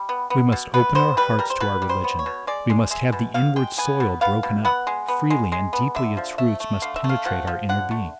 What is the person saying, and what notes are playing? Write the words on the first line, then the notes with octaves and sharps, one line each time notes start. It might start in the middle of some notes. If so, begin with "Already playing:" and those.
We must open our hearts to our religion; we must have the inward soil broken up, freely and deeply its roots must penetrate our inner being.
Already playing: G3
B3
B3
B2
B3 B4
B3 C5
G3 B4
G3 A#4
C5
B2 B4
G3
C5
B3
C#5
B2
G#3 D5
G#3
G#3 E5
B2
B2 F5
G#3 G5
B3 G#5
B2
B3 F5
B2
B3 F#5
G#3
B3
G#3
G#3
B3
D3 E5
F3
A3 E5
A3
D3 F5
E5
A3
F5
F3 F#5
F3
D3 F#5
A3